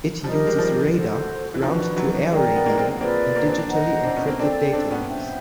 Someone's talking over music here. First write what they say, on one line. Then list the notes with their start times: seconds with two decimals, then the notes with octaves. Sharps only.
It uses radar, ground-to-air radio and digitally encrypted data links.
0.24 F3 G3 D#4 G4 A#4
0.47 G#3
0.58 F3 G3
0.93 F#4 A4 C5
1.54 E3
1.62 D#3 F3 D4 F#4 B4
1.96 E3 F#3
2.31 F#3 G#3 A#4 D5 G5
2.56 B3
2.66 G#3 A#3
2.78 A#3 C4
3.00 A#3 C4 F4 G#4 B4 D5
3.36 A#3 C4
3.47 C4 D4
3.58 C4 D4
3.70 C5 D#5 F#5 A#5
4.04 C4 D4
4.16 B3 C#4
4.27 A#3 C4
4.39 C4 D4 A4 D5 G5
4.73 C4 D4
4.90 B3 C#4
5.08 C5 E5 G5